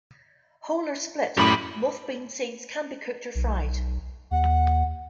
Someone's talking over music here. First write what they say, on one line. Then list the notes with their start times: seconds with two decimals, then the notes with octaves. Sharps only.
Whole or split moth bean seeds can be cooked or fried.
1.37 F#2 A2 G4 B5 D6
3.35 B1
4.31 D#2 F#5